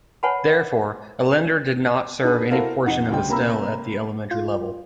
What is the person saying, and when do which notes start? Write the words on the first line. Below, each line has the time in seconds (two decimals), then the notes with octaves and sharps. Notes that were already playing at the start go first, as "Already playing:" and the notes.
Therefore, Ellender did not serve any portions of Estelle at the elementary level.
0.23 B4 C#5 F#5 G#5 A5 B5
2.23 D4 D#4 G#4 B4
2.50 E4 F#4 A4 A#4 C5 F5
2.86 F2 D#4 F#5
3.10 D2 C#3 G3 G5
3.29 C3 A#3 C#4 A#5 B5 E6
4.31 F4